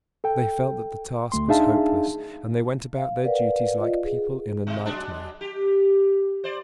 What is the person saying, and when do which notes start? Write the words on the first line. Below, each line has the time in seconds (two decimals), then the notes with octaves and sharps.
They felt that the task was hopeless, and they went about their duties like people in a nightmare.
0.24 A4 G5
1.32 D2 A3 C6
1.49 D4 D#4 G#4 E5 F5 A5
2.96 F5
3.24 A#4 B4 D5 F5 F#5
3.78 F4 D5 D#5
4.04 G#4
4.67 B2 G#3
4.85 F#3 G#3 D4
5.41 G4
6.44 C5 D5